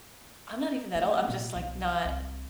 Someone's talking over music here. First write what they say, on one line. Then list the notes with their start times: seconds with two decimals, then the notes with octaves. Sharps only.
I'm not even that old. I'm just, like, not
0.95 A3
1.28 A#2
1.55 B1
2.05 C2